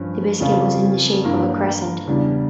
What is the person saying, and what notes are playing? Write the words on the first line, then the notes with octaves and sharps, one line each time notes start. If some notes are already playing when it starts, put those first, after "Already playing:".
The biscuit was in the shape of a crescent.
Already playing: G2 F3 C#4
F2 C#3 F3 C#4 F4
G2 E3 A#3
E2 C#3 G3 D4